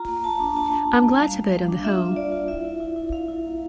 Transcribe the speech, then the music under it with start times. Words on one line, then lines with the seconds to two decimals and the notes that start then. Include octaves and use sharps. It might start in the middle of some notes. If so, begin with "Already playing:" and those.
I am glad of it on the whole.
Already playing: F4 A#5
0.08 A#3
0.24 A#3 A5
0.40 D4
0.56 A#3 A5
0.73 D4
0.88 D4
1.04 A#3
1.20 G3 F5
1.37 G3
1.52 G3 F5
1.69 D4
1.84 F4 E5
2.00 F4
2.16 F4 D5
2.32 F4
2.48 E4 E5
2.65 E4
2.80 E4
2.96 E4
3.12 E4 F5
3.28 E4
3.44 A#3